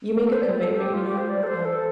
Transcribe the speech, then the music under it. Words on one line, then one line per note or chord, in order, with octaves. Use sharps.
you make a commitment, you know, uh,
A4
C5
D5
C5
A4
G4
F4
G4
C5
D5
A4
C5
A4